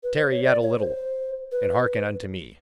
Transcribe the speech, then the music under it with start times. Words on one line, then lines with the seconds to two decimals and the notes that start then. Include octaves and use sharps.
Tarry yet a little and hearken unto me.
0.03 B4
0.16 C5
0.31 C#5
0.44 D5
0.62 C#5
0.80 C5
1.52 B4